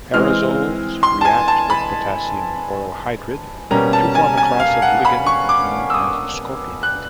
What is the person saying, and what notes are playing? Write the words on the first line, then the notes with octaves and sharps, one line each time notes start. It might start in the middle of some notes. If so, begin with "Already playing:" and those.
Pyrazoles react with potassium borohydride to form a class of ligands known as scorpionate.
E3 G#3 C4 F6
C6
A5
G#5
A5
B5
B2 G3 A#3 C#4 A#5
A5
G#5
G#5
F5
F#5
B5
C#6
D6
E6
D#6
F#6